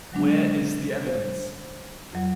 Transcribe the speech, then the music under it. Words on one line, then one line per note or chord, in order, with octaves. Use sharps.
Where is the evidence?
D3 F#3 G#3 D4
C5
F2 F#3